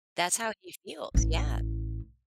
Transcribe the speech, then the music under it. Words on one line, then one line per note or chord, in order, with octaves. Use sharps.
That's how he feels. Yeah.
A1 E4